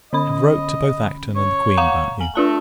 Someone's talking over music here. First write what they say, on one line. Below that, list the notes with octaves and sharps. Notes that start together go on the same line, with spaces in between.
I have wrote to both Acton and the Queen about you.
D3 C#4 D#5 B5
C#5
F5 F#5 A#5
G#5 F#7
A3 D4 F4 A5